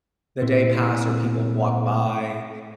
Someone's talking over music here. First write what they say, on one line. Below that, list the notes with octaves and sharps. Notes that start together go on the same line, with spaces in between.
the day pass or people walk by,
A#2 C4 E4